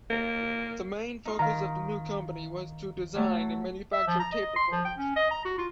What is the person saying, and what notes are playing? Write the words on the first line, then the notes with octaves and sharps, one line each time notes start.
The main focus of the new company was to design and manufacture tape recorders.
A#3
D#4 F4
D#3 F5 A#5
F#3 A3
E5
F3
A#5
D#5
C6
F3
G5
C#4
D#5
A#5
F#4
F4